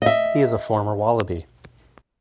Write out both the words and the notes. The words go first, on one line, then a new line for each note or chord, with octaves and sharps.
He is a former Wallaby.
D#5 E5